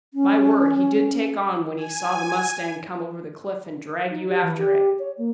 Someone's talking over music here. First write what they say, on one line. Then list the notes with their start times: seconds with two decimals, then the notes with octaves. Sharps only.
"My word, he did take on when he saw the mustang come over the cliff and drag you after it!"
0.14 C#4
1.77 G#5
4.09 D#4
4.27 G4
4.42 E3
4.57 G4
4.99 C#5
5.18 A#3